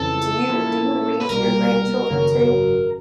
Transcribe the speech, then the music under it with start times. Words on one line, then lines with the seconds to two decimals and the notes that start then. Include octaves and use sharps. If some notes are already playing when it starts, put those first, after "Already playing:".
Do you do you read to your grandchildren too?
Already playing: F2 C#3 E3 A4
0.49 A#2 F3 A#3 C#4 E4
1.21 B4
1.29 C2 B2 G3 A#3 A#4
2.09 G#1 F#2 C#3 F#3